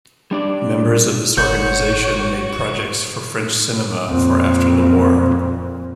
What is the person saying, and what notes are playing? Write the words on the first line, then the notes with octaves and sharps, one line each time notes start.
Members of this organization made projects for French cinema for after the War.
G3 D4 D5
G1 F#4 C#5 G6
F2 A#2